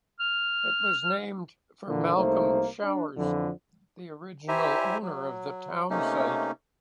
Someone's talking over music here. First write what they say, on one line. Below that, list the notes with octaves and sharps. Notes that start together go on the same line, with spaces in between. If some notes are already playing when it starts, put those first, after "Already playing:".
It was named for Malcolm Showers, the original owner of the town site.
F6
A#2 D3 E3 A#3
C2 A3 A#3 D#4 C5
D4
F2 D3 E3 F3
E4 G4 C5 E5 G#5 A#5
F#3
C3 A3 A#3 C#4 D#4